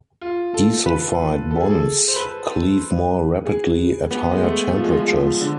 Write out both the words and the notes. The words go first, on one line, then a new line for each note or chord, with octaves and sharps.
Disulfide bonds cleave more rapidly at higher temperatures.
F4
A4
B4
A4
G#4
A4
C5
B4
G#4
B3
G#3
A3
F3
G#3
F3
G#3
F3
D3